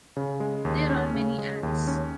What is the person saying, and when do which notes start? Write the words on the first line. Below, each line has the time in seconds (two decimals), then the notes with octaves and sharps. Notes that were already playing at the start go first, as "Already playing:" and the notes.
There are many ads.
0.17 C#3
0.40 G#3
0.65 D#2
0.89 C#4
1.14 C#3
1.38 G#3
1.63 D#2
1.87 C#4